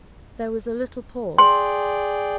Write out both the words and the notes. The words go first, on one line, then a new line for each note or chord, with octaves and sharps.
There was a little pause.
G#4 D5 G5 C6